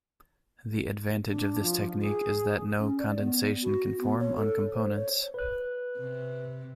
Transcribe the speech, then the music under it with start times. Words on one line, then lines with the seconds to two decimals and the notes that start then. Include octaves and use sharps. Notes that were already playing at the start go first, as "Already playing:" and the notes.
The advantage of this technique is that no condensation can form on components.
1.29 D4
1.62 F3
2.01 G#4
2.79 C#4
2.98 D5
3.20 B3
3.63 F#4
4.01 B3
4.20 C#5
4.36 A4
4.74 C5
4.95 C#5
5.34 B4 F#6
5.98 C3